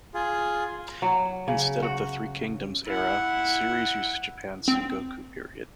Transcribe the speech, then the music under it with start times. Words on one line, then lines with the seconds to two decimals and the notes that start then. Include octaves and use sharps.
Instead of the Three Kingdoms era, the series uses Japan's Sengoku period.
0.14 F4 G#4
1.02 F#3
1.48 C#3
1.82 F#4
2.85 E4 F#5
4.68 C4